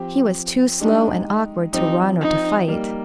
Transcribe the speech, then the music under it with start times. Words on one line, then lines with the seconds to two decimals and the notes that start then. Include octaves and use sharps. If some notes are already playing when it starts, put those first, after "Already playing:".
He was too slow and awkward to run or to fight.
Already playing: F3 C4 G4
0.80 G#3 D4 D#4 G4
1.73 F3 C4 D#4 G4
2.21 D#4
2.68 G3 A#3 D#4